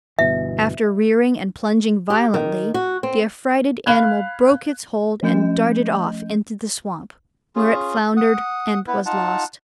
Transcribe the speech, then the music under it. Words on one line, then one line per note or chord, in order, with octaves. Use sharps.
After rearing and plunging violently, the affrighted animal broke its hold and darted off into the swamp, where it floundered and was lost.
G1 B2 E3 E5
G4
D#3
F#4
C4
F5 B5 F#6 G#6
F3 A3 C#4 D#5 G6
C#4 F4 G#4
F#5 D#6
B3 E4 B4
D#4 F4 F#5 A5